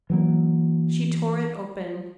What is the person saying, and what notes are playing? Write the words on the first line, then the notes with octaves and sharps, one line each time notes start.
She tore it open.
E3 F#3 A#3